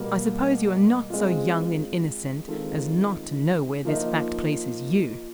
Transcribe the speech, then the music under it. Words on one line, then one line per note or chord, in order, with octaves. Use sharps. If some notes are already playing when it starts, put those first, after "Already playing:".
I suppose you are not so young and innocent as not to know where this fact places YOU.
Already playing: B2 G3 A#3
G#3 C4 F4
D#3 G#3 C4 F4 A4
F3 A#3 D#4